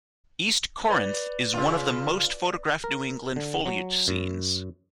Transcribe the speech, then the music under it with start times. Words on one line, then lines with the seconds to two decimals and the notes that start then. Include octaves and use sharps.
East Corinth is one of the most photographed New England foliage scenes.
0.89 B4 D5
1.54 C#3 F4
2.84 A#4
3.36 D3
3.66 F#3
4.08 F#2